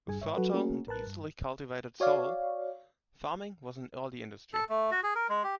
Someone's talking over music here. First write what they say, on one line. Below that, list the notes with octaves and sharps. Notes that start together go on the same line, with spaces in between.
With fertile and easily cultivated soil, farming was an early industry.
G1 G2 G#4 G#5
G#2 C#5 E5
F#3 F#4 A4 B4
A3 A#3 C#4 F#4 G#4 A#4
A1 A#4 B4 A5 F#6
G2
F#4 C#5 D5 F5
A4
A3
F#4
G#4
A#4
G#3
G4